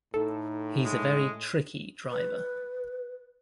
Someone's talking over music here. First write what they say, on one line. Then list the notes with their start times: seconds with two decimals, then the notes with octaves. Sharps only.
He's a very tricky driver.
0.14 A2 D#4 A4
0.85 G#3
2.10 B4